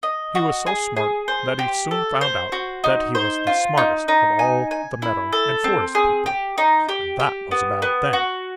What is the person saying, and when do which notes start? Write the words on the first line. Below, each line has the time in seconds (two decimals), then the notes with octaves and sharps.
He was so smart that he soon found out that he was the smartest of all the meadow and forest people, and that was a bad thing.
0.03 D#5
0.35 F#4
0.66 G#4
0.97 G#4
1.28 C5
1.59 G4
1.91 A4
2.21 C5
2.52 F#4
2.84 D#4
3.15 C5
3.47 F4
3.77 D#4
4.08 D#4
4.39 G#5
4.71 G#5
5.02 E4
5.32 A4
5.64 C4
5.95 G#4
6.26 G4
6.58 D#4
6.89 G4
7.20 G4
7.51 B3
7.82 B3
8.13 F#4